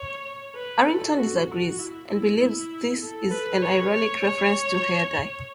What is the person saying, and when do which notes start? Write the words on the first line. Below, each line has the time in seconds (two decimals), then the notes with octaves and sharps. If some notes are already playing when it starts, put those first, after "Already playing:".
Harrington disagrees, and believes this is an ironic reference to hair dye.
Already playing: C#5
0.55 B4
0.86 A4
1.16 F#4
1.48 F#4
1.78 E4
2.09 E4
2.39 E4
3.01 A4
3.31 B4
3.62 C#5
3.93 C#5
4.23 C#5